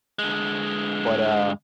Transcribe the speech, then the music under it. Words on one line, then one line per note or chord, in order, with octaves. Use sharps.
but, uh,
D3 G#3